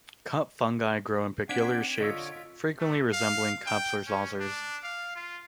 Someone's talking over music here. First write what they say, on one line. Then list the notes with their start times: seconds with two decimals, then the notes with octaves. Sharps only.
Cup fungi grow in peculiar shapes, frequently resembling cups or saucers.
1.49 C4 D4 F#5 G#6 B6 D7
2.01 D3 F4 C#5 D#5 E6
2.80 A3
3.13 F5
3.67 G5
4.07 C#4
4.40 D4
4.84 F5
5.16 F4